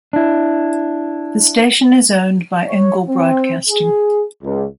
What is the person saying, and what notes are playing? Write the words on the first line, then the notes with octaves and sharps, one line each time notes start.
The station is owned by Engle Broadcasting.
D4 E4
C#5
C4
G#4
C#2